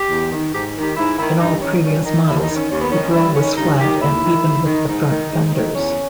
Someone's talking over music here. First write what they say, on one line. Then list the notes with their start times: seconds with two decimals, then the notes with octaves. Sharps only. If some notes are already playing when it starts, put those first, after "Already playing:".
In all previous models, the grille was flat and even with the front fenders.
Already playing: G4
0.10 E2
0.32 D#3
0.53 G#2 G4
0.76 D#3
0.83 G4
0.97 G#2 E4
1.18 D#3 E4
1.40 G2 D#4
1.62 D#3 C#4
1.84 G2 C#4
2.05 D#3 D#4
2.27 D#2 E4
2.42 D#4
2.49 D#3
2.56 C#4
2.71 D#2 C#4
2.81 B3
2.92 D#3 C#4
3.03 C#4
3.14 G2 E4
3.36 D#3 C#4
3.57 G2 D#4
3.79 D#3 G4
4.01 D#2 E4
4.23 D#3
4.44 D#2
4.66 D#3
4.87 G#2 D#4
5.09 D#3
5.31 G#2
5.52 D#3
5.74 E2 C#4